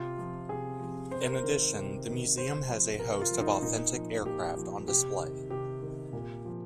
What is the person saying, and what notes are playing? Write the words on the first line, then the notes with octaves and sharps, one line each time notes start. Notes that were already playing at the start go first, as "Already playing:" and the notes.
In addition the museum has a host of authentic aircraft on display.
Already playing: C3 F4
F3
C3 G#4
F3
C3 C5
A#4
C5
D#3
C3
D#3
C3 C5
F3
C3 A#4
F4
F3
D#4
A#2 D#4
F3
A#2 G4
F3
C3 G4
D#3
C3 G4
D#3
A#2
F3